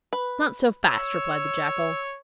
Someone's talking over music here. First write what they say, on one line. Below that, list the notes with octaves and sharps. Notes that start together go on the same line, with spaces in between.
'Not so fast,' replied the jackal.
B4
C#5 E6